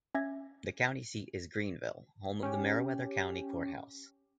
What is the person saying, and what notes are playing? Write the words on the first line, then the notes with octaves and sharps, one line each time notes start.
The county seat is Greenville, home of the Meriwether County Courthouse.
C#4 E5 G#6 A#6
C#4 G4